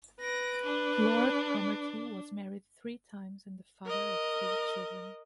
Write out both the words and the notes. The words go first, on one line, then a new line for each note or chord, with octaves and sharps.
Lord Cromartie was married three times and the father of three children.
B4 A#6 D7
D4
A#4 D#5